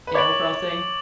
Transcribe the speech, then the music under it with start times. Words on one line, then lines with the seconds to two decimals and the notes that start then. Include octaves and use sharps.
Animal Crossing?
0.07 B4
0.15 C#5 D6 A6 D7 F#7